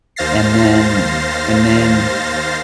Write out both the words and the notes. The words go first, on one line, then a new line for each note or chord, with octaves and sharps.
and then and then
D#2 C5 F5 A6 A#6 C7